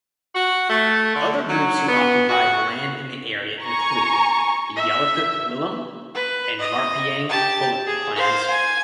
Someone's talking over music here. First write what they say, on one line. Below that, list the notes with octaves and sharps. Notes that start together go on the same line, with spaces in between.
Other groups who occupied land in the area include the Yalukit-Willam and Marpeang-Bulluk clans.
F#4
A3
D3
F#3
B3
F#4
G#5 A#5 C#6
E5
B4
D#5
G4 A5
G#4
C5 F5
G#5